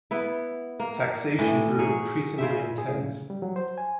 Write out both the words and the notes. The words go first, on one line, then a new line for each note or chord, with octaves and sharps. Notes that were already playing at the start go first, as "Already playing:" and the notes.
Taxation grew increasingly intense.
B3 E4
A#3
A2 E3
F#3 G#4 C#5
C#3 C5 E5
G#4
C#3
G3
F#3
C5
G#5